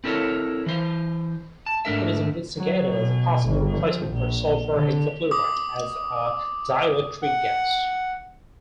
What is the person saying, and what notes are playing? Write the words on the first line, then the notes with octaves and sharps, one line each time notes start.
It is investigated as a possible replacement for sulfur hexafluoride as a dielectric gas.
C4 E4 A4 A#4 C#5
E3 C5
A5
G#2 A3 D4 A#4 E5
F#3
B2
G1
F3
A#1
D3
D6 D#6
F#5